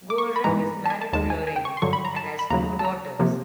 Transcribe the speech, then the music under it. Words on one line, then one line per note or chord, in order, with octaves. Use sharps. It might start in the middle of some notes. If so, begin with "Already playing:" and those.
Goldring is married to Lorraine and has two daughters.
D6
C#6
B5
G#2 E3 G#3 A#5
A5
G#5
A5
D#2 D#3 G#3 A5
G#5
G#5
G5
C#6
C6
G2 D3 F#3 C#6
B5
A#5
A5
B5
D#2 C#3 F#3 A#5
A5
A#5
C3 F3 A#3